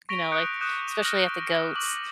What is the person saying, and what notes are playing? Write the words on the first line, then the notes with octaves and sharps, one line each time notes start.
you know, like, especially at the goats
C#6 A#6 B6 D7 F7 G7
C#6 D#6 F#6 G6 C#7 D7
D6 D#6 F#6 G6 D#7 E7
F6 A#6 D#7
C#6 D6 F#7